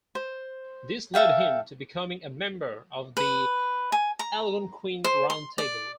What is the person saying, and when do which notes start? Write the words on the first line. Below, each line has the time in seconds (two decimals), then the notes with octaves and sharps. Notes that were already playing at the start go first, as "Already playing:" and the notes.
This led him to becoming a member of the Algonquin Round Table.
0.15 C5
1.14 A4 E5 F5 G5
3.17 B4
3.92 G#5
4.19 A#5
5.04 C5
5.30 C6
5.58 D5